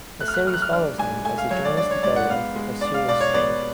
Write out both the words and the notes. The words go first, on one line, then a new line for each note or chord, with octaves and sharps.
The series follows him as he journeys to Berlin to pursue his dream.
A3 F#6
F6
F#6
F#3 F6
F#6
F6
D4 F6
G#2 G#5
A3 G#5
F5
F#3 C#5
D5
D4 D5
C#5
G#2 D5
F#5
B3 F5
G#3
D4 D5
F5
B2 D5
C#5
B3 D5